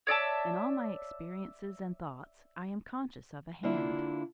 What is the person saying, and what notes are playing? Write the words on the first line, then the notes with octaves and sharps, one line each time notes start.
In all my experiences and thoughts I am conscious of a hand.
C#5 D5 E5 A5
D3 A#3 D4 E4 F4